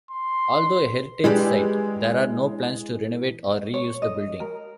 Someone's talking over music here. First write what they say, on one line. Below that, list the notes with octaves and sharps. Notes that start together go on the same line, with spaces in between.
Although a heritage site, there are no plans to renovate or reuse the building.
C6
E3 G#3 D4 G4
C#5
D#5
A#4